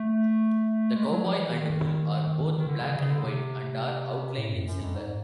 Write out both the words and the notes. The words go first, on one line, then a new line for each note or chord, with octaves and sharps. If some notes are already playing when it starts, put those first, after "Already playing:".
The cowboy and bull are both black and white and are outlined in silver.
Already playing: A3
G#3
F#3
F3
E3
D#3
D#3
D3
C#3
C#3
D3
C3
A2
F#2
F#2
F2
G#2